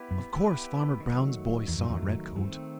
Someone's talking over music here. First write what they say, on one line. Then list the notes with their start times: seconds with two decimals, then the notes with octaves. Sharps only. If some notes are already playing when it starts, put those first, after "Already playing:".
Of coarse Farmer Brown's boy saw Redcoat.
Already playing: B3 E4 G4 B4
0.11 F#2
0.33 B3 E4 G4 B4
1.00 D#3 F#3 A3
1.68 E2 D#3 F#3 A3
1.78 F#2
1.89 E2
2.02 F#2
2.36 G2 D#3 A3 C4